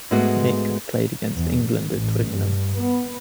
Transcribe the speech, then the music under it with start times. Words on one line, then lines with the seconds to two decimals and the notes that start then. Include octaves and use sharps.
Mick played against England at Twickenham.
0.11 G#2 G#3 A3 B3 F#4
1.35 E2
1.65 A#2
1.97 A1
2.29 G2
2.76 B3